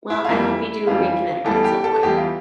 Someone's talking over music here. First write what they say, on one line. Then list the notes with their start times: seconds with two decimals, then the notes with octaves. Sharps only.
Well, I hope you do reconnect at some point,
0.10 E4
0.25 F4
0.29 F2 E3 G3 E4
0.87 F2 E3 G3 F4
1.45 E2 E3 G3 A4
1.64 G4
1.84 A4
2.03 E2 E3 G3 G4
2.17 F4